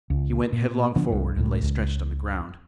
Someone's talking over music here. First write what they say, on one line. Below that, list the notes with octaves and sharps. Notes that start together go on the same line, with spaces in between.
He went headlong forward and lay stretched on the ground.
C#2
A#2
D3 F3 B3 D4
C2 G2
C#2 A2
C#2